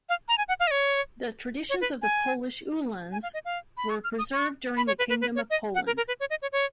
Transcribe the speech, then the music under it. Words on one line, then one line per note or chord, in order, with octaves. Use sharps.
The traditions of the Polish uhlans were preserved during the Kingdom of Poland.
F5
A#5
G#5
F#5
F5
D#5
C#5
C#5
B4
G#5
G#5
F5
D#5
F5
B5
C#6
F6
D#6
C#6
B5
C#5
B4
B4
B4
C#5
D#5
F#5
A#4
A#4
B4
C#5
D#5
C#5
C#5